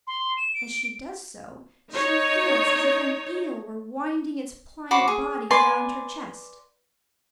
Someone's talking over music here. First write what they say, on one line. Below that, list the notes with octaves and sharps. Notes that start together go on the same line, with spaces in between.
As she does so, she feels as if an eel were winding its pliant body round her chest.
C6
E7
D7
D#4 C#5
F#4 C5 B5 D6
G#4
B4 D5 G#5 C6